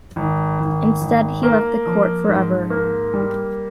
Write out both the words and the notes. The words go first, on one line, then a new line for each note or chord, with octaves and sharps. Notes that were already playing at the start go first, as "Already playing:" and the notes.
Instead, he left the court forever.
G#1
G#1
G#1
A#3
F3
G#2
A#3
G3